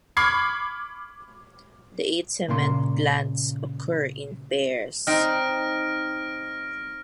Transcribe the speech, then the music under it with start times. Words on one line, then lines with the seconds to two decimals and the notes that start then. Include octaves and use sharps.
The eight cement glands occur in pairs.
0.17 B5 C#6 D6 F6 G#6 C7
2.48 A#2 C#3 A#3 C6
5.07 C4 D#4 F6 A#6 D7